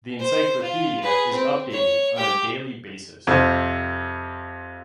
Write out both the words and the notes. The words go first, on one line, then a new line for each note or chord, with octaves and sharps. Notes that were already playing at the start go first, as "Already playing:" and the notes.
The Encyclopedia is updated on a daily basis.
C5
F4
G#4 B4
C4
C#5
G4 G5
F2 C3